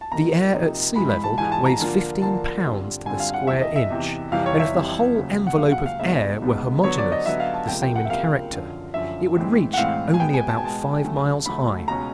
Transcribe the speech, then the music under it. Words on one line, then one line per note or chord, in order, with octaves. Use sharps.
The air at sea-level weighs fifteen pounds to the square inch, and if the whole envelope of air were homogeneous--the same in character--it would reach only about five miles high.
A5
C3 F3 A#3 D#4 A#5
C3 F3 A#3 D#4
G#2 E3 G#3 B5
B5
A5
G#2 E3 G#3 G#5
A5
A#5
D3 F3 A#3 D4 F4
D3 F3 A#3 D4 F4 A5
G2 D3 G3 C4 F4
G2 D3 G3 C4 F4 G#5
F5
F#5
E2 C3 E3 E5
D#5
E5
E2 C3 E3
F2 C3 E3 G3 F5
C#5
E5
F2 C3 E3 G3
D#2 C#3 F#3
F#5
D#2 C#3 F#3 F5
F#5
F5
C#2 B2 G#3 B3 D#4 E5
C#2 B2 G#3 B3 D#4
D3 F#3 B3 C#5
D5
D#5
D3 F#3 B3 E5
F5
A5
C#2 C3 F3 A#3 G5
G5
F#5
E5
C#2 C3 F3 A#3 F5
F#2 D3 F3
F#2 D3 F3 E5
A2 E3 G#3 C4
F#5
A2 E3 G#3 C4 F5
G#5
B2 G#3 B3 G5
G#5
A5
G#5
B2 G#3 B3 A5
D2 C#3 F#3 A3
D2 C#3 F#3 A3 B5
C#2 B2 G#3 C#4 A#5